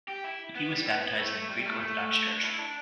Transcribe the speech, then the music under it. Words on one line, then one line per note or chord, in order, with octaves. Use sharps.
He was baptised in the Greek Orthodox Church.
G4
E4
B3
G3
B3
B3
A3
A3
G3
A3
A3
D4
E4
D4